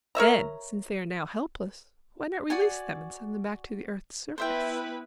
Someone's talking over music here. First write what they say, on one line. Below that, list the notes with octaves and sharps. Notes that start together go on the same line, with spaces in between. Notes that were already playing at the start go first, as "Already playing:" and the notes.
"Then, since they are now helpless, why not release them and send them back to the earth's surface?"
A#4 C#5 E5 A#5
F#4 D5 G#5
B3 E4 B4 C5 E5 G5